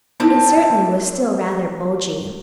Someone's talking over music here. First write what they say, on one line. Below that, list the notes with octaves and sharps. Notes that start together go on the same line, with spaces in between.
It certainly was still rather bulgy.
A#2 B3 C4 D#4 E4 A5